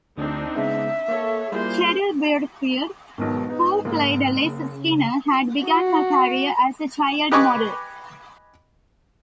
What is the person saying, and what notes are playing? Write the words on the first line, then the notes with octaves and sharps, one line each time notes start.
Cheryl Burfield, who played Liz Skinner, had begun her career as a child model.
D2 C4 D4 D#4
C#3 G#3 B3 E5
A#3 A4 C#5
G3 A#3 E4 F4 G#4 C5
B1 G#2 B2 D#3
B3 D#4
F#1 A#3
C#3
F#4
G4 B4 D#5 G#5 C#6 D6